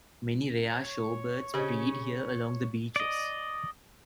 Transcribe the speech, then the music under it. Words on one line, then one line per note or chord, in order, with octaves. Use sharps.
Many rare shore birds breed here along the beaches.
C#5
C#3 C#4 G4 C5 D#5
D5 D#5